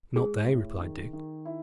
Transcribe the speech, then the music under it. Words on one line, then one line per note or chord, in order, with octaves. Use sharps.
"Not they," replied Dick.
G#3 G#4
A2
D#3
D#3
E4